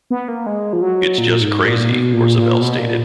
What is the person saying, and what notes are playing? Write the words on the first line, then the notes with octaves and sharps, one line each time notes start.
It's just crazy, Orzabal stated.
B3
A#3
G#3
F3
F#3
A#2
G#2
A#2
B2
A#2
A#2
B2
A#2